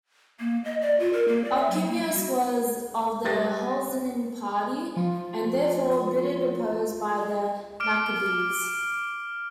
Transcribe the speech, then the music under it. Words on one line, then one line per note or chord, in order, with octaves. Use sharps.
Alcimus was of the Hellenizing party, and therefore bitterly opposed by the Maccabees.
A#3
D#5
D5
F4
A#4
A#3
D5
E5
F#3
A#3
G3
F#4
G3 B4 A6 A#6
F3 F4
D6 F6 D7